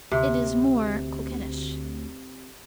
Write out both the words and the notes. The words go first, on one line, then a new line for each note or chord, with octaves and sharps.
It is more coquettish.
D2 C3